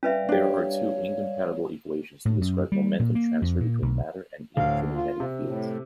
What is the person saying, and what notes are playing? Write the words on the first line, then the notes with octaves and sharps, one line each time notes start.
There are two incompatible equations to describe momentum transfer between matter and electromagnetic fields.
G3 C#4 B4 D5 E5 F5
D4 G4 C#5
A2
F#2
G3
A#2
A#3
F2
A#2
B1
D2 A2 F5
F4
C3
A2